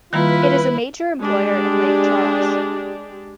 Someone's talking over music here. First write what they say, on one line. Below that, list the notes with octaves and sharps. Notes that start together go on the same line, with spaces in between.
It is a major employer in Lake Charles.
D#3 G3 A#3 E4 F4 B4 B5
G#3 D4 G4